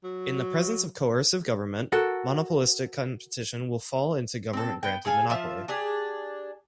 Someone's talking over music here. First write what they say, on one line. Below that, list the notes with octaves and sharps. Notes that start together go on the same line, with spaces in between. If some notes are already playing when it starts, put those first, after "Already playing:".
In the presence of coercive government, monopolistic competition will fall into government-granted monopoly.
F#3
F#4 A4 A#4
C4 A4
B3 G5
G#4 A4 F5 G#5
F3 F4 E5
D4 G4 G#4